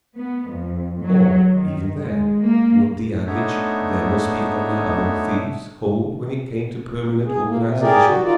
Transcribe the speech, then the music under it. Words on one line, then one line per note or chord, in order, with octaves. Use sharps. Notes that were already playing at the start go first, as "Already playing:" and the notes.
Or, even there, would the adage, "There must be honor among thieves," hold, when it came to permanent organization?
B3
F2
F#3
D#3
G#3
A#3
A3 B3 D4 D#4 C#5 E5
G#4
A#3
C3
G4 G#4 A#4 D5
F#4
D#4 F4 D5